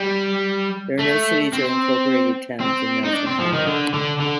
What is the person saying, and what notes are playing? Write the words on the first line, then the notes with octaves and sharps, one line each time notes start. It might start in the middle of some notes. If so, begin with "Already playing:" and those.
There are no cities or incorporated towns in Nelson County.
Already playing: G3
A3
C4
C4
D#4
D4
C4
F3
D#3
D3
D3
D3